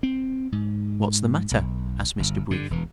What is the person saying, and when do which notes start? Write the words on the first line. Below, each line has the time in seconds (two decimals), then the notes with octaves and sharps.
"What's the matter?" asked Mr. Brief.
0.03 C4
0.52 G#2
1.51 B1
2.19 G1
2.51 G2 D3
2.70 E1 E3